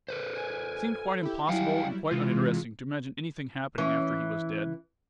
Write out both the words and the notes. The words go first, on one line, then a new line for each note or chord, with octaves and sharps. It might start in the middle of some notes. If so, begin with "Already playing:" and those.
It seemed quite impossible and quite uninteresting to imagine anything happening after he was dead.
A4 B4 C5
G#5
E4 G4
F#3 G3 E4 F5 G5 G#5
C3 E3 G#3 F4
E3 C#4